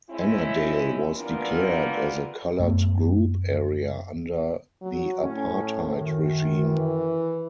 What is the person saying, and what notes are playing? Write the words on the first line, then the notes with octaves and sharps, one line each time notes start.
Ennerdale was declared as a coloured group area under the Apartheid regime.
G#3 C4 C#4 E4
E3 G3 B3 D4 F4 A#4
F#2 A3 B3
F#3
A2 C#4
F#2 D#3
E3